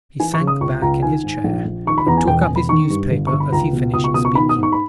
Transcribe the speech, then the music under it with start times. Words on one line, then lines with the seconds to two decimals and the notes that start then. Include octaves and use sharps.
He sank back in his chair, and took up his newspaper as he finished speaking.
0.20 E3 G#5
0.34 C#6
0.40 C#3
0.47 D#6
0.61 C#2 C#6
0.82 C#2 A#5
1.02 D#3 G#5
1.24 G#2
1.44 A#1
1.65 A#1
1.85 D#3 C#6
1.98 B5
2.07 E2 A#5
2.17 G#5
2.28 E1 G5
2.42 G#5
2.49 E1
2.56 B5
2.69 D#3 C#6
2.90 G2
3.11 G1
3.27 G1 C#6
3.40 B5
3.52 C#2 A#5
3.73 B2
3.93 C#2 D#6
4.04 C#6
4.14 B2 D#6
4.25 C#6
4.35 D#3 B5
4.49 D#6
4.56 G#2
4.63 C#6
4.72 B5